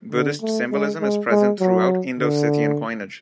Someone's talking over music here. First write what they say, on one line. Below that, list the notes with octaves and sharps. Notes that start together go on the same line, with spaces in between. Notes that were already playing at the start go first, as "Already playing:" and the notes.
Buddhist symbolism is present throughout Indo-Scythian coinage.
D3
A3
G#3
G#3
G#3
F#3
D3